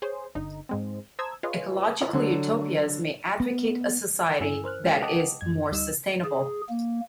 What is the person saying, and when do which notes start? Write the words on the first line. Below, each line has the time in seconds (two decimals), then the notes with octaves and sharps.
Ecological utopias may advocate a society that is more sustainable.
0.02 G#4 C5 C#5
0.35 G1 D3 D#4
0.69 G#2 G#3 C4
1.19 C5 A5 A#5 D#6 E6 G#6
1.43 F4 G#4 B4 C#5 D#5
2.13 D3 F#3
3.40 B3
4.40 G2 C#4 E4 G#5 E6
4.64 A#4 C5 F6 F#6
4.84 G#3 C#4 F#4 G5
5.02 D#5 F#5 G5 A5 D6 D#6
5.41 F#2 G#6
5.71 D2 G3 D#4 D#5 E6 E7
6.24 G#4
6.69 A#3